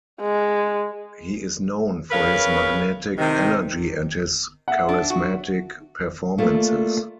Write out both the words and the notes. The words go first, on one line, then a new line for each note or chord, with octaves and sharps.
He is known for his magnetic energy and his charismatic performances.
G#3
C#3 A#4 B4 C#5 F5
C3 D#3
E5 F#5
D4
F#4
A3 A#3 D4 F4